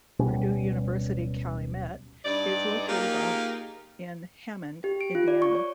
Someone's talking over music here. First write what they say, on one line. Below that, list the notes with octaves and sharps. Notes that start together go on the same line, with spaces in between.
Purdue University Calumet is located on in Hammond, Indiana.
D1 B2 G3 C#4
G2 D#4 D5
A#3 D#4 F4 G4 G#4 A#4
G4
D7
F4
D5
C#6
C#5